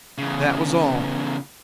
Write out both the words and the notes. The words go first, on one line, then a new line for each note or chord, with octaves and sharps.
That was all.
E2 C#3